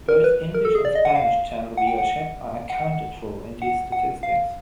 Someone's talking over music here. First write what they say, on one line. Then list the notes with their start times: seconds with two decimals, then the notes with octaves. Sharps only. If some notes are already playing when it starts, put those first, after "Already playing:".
Both English and Spanish channel viewership are accounted for in these statistics.
0.09 A#4
0.24 B4
0.54 A#4
0.65 A4
0.75 G#4
0.85 D5
0.95 D#5
1.05 F#5
1.16 F5
1.77 F#5
1.87 G5
1.98 F#5
2.70 F#5
3.62 F#5
3.92 F#5
4.23 F5